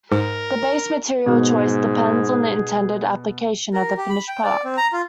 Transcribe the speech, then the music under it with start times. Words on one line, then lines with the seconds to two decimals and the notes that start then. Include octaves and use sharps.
The base material choice depends on the intended application of the finished product.
0.12 G#2 A#4
1.26 G#2 B2 G#4
3.73 A#4
3.97 G4
4.10 B5
4.28 G5
4.44 D5
4.64 C4
4.77 A#5
4.93 F4